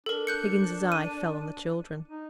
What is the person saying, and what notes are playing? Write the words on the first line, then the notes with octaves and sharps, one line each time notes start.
Higgins's eye fell on the children.
D4 A4 A#4
F#6 G6 C#7
D#7
D#4